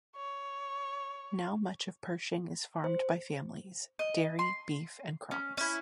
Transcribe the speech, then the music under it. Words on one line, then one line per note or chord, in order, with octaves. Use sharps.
Now much of Pershing is farmed by families: dairy, beef and crops.
C#5
C5
D#5
C6
C#4
C#4 E4